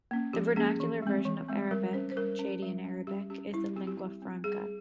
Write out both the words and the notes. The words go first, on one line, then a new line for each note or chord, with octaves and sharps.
A vernacular version of Arabic, Chadian Arabic, is the lingua franca.
A#3 C#4
F3 G4
A#3 C#4 G#4
E3
G#3 C4
E3
G#3 C4
G3 A#4
C#4 C5
C5
G3 A#4
C#4
G3
C#4
G3 G4
C#4 G4
G3 E4
C4 G4
G4
G3
C4
G3 G#4